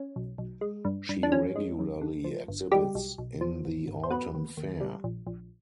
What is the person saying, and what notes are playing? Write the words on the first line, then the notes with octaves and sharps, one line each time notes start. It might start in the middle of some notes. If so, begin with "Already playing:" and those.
She regularly exhibits in the Autumn Fair.
Already playing: C#4
B1
B1
G#3
G2
G2
D4
F3 C#4
G#3
F#2
D3
F3
G1
G3 G#3 G4
B1
B1
F3
G#1
G#1
C5
F#3 B3 B4
D#2
D#2
G3
A#1
A#1